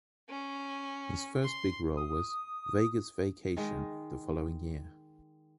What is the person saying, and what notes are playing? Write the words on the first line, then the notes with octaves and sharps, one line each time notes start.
His first big role was “Vegas Vacation”, the following year.
C#4
C6
D#6
D#3 G#3